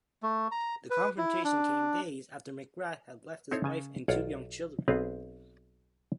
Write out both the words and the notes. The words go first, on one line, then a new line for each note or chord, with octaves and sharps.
The confrontation came days after McGrath had left his wife and two young children.
A3
A#5
B4
E4
D4
C4 D#4 E4 A4 C5 C#5
C#3 G#5 A5
B1 F4 C#5 D5 F#5
B1 B3 C4 G#4 B4 F5